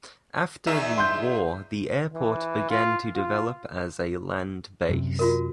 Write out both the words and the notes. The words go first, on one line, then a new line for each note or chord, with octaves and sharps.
After the war the airport began to develop as a land base.
E2 D#4 E5
C6 G6
E3
F4
F4
F#2 C3
F4 F#4 A#4